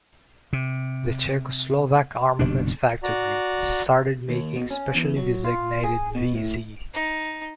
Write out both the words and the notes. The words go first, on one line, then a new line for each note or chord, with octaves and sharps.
The Czechoslovak Armaments Factory started making specially designated vz.
C3
F#1 B2 D#3 D4
F#4 D5 A#5
D#2
B2
C#4
E2
F#3
F4
G#4
B2
A2
D#4